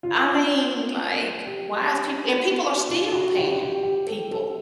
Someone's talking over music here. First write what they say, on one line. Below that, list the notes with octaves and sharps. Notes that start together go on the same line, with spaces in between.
I mean, like, why is people and people are still paying people.
F4
G4
F4
F#4
G4
G4
G4
A4
A4